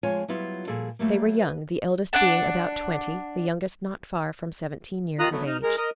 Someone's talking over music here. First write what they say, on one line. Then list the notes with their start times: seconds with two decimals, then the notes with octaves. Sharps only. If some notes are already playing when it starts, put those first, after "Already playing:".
They were young; the eldest being about twenty, the youngest not far from seventeen years of age.
0.03 F2 F3 G#3 F4 C#5 G#5
0.28 F#3 G3 B3 E4 F4
0.67 A#2 F3 G3 G#4 A4 D5
0.99 F#3 G3 A3 A#3
1.38 B4
2.13 D4 D5 F#5 A5
5.19 D#2 D#3 F4 A#5 D#6 F#6
5.31 F#3 A3 B3
5.46 D#4 F6
5.63 G#3 A#4
5.77 A#4 D#5